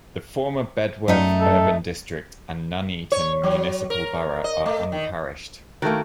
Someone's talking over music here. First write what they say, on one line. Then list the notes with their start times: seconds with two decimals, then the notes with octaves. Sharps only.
The former Bedworth Urban District and Nuneaton Municipal Borough are unparished.
1.08 F#2 A3 D#4
1.40 A4
3.12 C#5
3.43 F#3
3.90 A#4
4.44 D#5
4.66 A3
4.92 D#3
5.82 D#3 A3 A#3 F#4